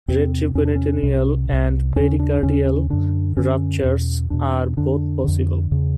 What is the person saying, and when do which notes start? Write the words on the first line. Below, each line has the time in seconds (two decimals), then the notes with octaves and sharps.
Retroperitoneal and pericardial ruptures are both possible.
0.08 E2 C3 C4
0.55 E2 C3 C#4
0.65 D4
0.75 C#4
1.03 C2 C3
1.49 C2 C3
1.96 D#2 C#3 C#4
2.19 D4
2.43 D#2 C#3 C#4
2.90 F#2 D3 D4
3.37 F#2 D3 C#4
3.84 E2 B2
4.30 E2 B2 D4
4.77 F2 D3 D4
5.24 F2 D3
5.71 E2 C#3